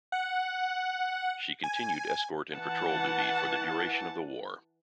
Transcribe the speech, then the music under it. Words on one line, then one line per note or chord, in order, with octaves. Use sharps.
She continued escort and patrol duty for the duration of the war.
F#5
G#5
E3 F#5 A5